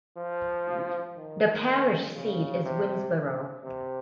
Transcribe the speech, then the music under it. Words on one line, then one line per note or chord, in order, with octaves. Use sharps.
The parish seat is Winnsboro.
F3
D#3
C#3
C3
C3